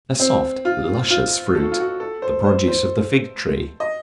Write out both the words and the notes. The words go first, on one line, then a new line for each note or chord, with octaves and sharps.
A soft, luscious fruit, the produce of the fig-tree.
C4
F4
F4
A4
F#4
F4
F#4
A4
C5
C5
C5
D#5